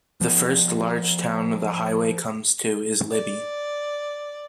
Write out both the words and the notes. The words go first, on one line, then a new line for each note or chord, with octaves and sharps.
The first large town the highway comes to is Libby.
F3 B3
D5